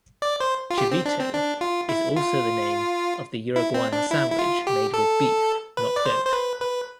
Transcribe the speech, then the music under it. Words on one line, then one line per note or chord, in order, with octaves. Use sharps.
"Chivito" is also the name of the Uruguayan sandwich made with beef, not goat.
D5
C5
F4
G4
C4
D4
C4
D4
F4
E4
F4
E4
C4
D4
E4
E4
F4
G4
A4
B4
D5
C5
C5
B4
B4